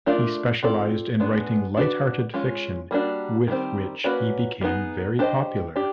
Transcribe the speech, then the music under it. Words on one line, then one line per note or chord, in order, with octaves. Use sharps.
He specialised in writing light-hearted fiction, with which he became very popular.
A3 D4 F4 A#4 D5
C4 F4 A4 D5
G#3 B3 D4
D4 F#4 B4
G#3 C#4 F4
G3 A#3 D4 F#4
D#3 G3 C4
A#3 C#4 F#4 B4 D5
G3 B3 D#4 G#4
D4 G4 C5 D#5
D4 G4